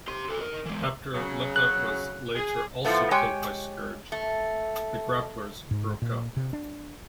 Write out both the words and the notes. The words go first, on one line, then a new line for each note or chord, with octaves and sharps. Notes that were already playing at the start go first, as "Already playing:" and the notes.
After Letha was later also killed by Scourge, the Grapplers broke up.
G4 C6
F#4 A4
A#4 D#5
E3 G#3
C#3 F#3
F#6
G#4
A2 F3 A3 B3
G#3 G4 C#5 G5 G#5
A3
G#2
A#2
C3
D4